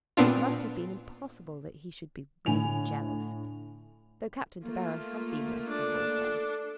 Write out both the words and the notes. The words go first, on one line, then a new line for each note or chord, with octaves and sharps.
It must have been impossible that he should be really jealous, though Captain De Baron had been there the whole day.
A#2 B3 C4 D4 F4
A2 D3 G#5 F7
A3 A#3 F4
D4 A4